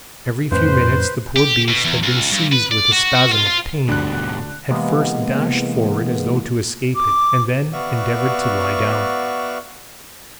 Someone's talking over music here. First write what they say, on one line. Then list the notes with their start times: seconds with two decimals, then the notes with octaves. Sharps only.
Every few minutes the poor beast had been seized with a spasm of pain, had first dashed forward as though to escape it and then endeavoured to lie down.
0.51 F2 A2 C#4 B4 C5
1.36 G4
1.68 B2
1.85 E2
2.03 C#2
2.33 G2
2.53 B4
2.71 D5
2.92 F#4
3.15 F#4
3.32 F4
3.47 F4
3.89 D2 G#2 B2 G3 D4 F#6
4.70 C3 E3 G#3 A#3 B3
6.96 D6
7.73 B3 F#4 D5 E5 F5 C#6